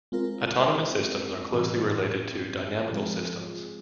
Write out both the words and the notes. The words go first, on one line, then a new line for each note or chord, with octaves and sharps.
Autonomous systems are closely related to dynamical systems.
G#3 C4 F4 A#4
A2 E3 G3 C4
F3 G#3 C4 F4 G#4